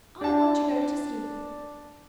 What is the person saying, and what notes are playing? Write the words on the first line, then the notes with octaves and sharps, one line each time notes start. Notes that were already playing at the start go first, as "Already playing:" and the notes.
I want to go to sleep.
D4 A5